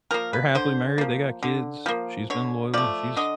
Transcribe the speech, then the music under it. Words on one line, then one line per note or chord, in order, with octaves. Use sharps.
they're happily married, they got kids, she's been loyal, she's
F3 A#3 A#4
B4
D3 C5
F3 A#3
D3
F3 A#3
D3 C#5
F3 A3 D5
D3 D#5